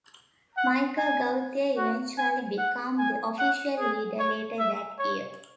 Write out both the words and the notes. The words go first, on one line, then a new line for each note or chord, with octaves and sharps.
Michel Gauthier eventually became the official leader later that year.
F#5
G#5
F#4
G#5
F#5
G#5
F#5
G#4
C#5
E5
C#5